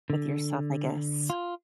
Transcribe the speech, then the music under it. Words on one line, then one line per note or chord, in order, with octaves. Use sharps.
with yourself, I guess.
D3
F4